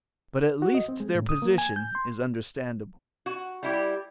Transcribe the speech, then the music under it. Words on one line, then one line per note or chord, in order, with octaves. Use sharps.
But at least their position is understandable.
F#4
D#5
C4
G#3
A2
D#6
A#3
G#5
G6
C6
F#4
G3 E4 G4